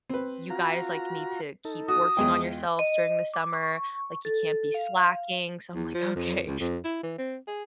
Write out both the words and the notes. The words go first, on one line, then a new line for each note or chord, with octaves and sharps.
you guys, like, need to keep working on yourselves during the summer, like, you can't be slacking." So I'm, like, "Okay."
C4 B4
F4 F#4 A#5
D#4 A4
F#4 D#6
E2 G#3 F4 G5
D#5
D6
C#6
A4
F5
E2
F3
F2
C#2
F2
E4
E3
C4
G#4